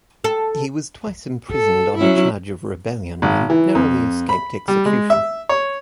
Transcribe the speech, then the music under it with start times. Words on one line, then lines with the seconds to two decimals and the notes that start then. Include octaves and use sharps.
He was twice imprisoned on a charge of rebellion, and narrowly escaped execution.
0.24 A4
1.51 A4
1.98 F#3 C#4 E4
3.22 G#1
3.50 E3
3.75 F2
4.29 B5
4.68 G3
4.86 G#3
5.10 E5
5.49 C#5